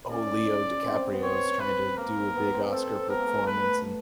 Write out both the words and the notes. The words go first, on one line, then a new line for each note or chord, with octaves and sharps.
"Oh, Leo DiCaprio is trying to do a big Oscar performance," and,
C#4 D5
C4
B3
C4 C#5
B4
A#3 A#4
B3
C4
C4 A4
B3 A#4
A#3
A3
B4